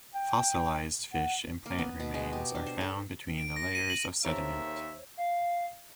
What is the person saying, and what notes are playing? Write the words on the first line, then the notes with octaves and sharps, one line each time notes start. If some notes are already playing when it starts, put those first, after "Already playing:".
Fossilised fish and plant remains are found between the layers of sediment.
G5
F#5
A#3
B3
B2
G#3
G4
D4
C5
A4
D7
A#6
D#7
F#7
D#2 A4 A#4 C5 C#5 E5
F5